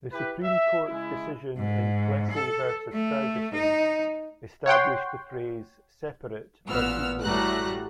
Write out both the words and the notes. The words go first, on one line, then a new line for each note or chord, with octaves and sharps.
The Supreme Court decision in "Plessy versus Ferguson" established the phrase "separate but equal".
E4 G4 B4
E5
C#3 G#3 E4
G#2
A4
A3
D#4
C#5 F#5 G5 C6
A1 A#2 B3 E6 F6
A2 G3 A3 F#4 A#5 F#6